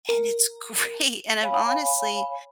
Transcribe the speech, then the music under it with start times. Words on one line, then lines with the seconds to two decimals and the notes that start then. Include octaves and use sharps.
and it's great, and I'm honestly
0.09 A#4
1.42 C#5 F5 G#5 B5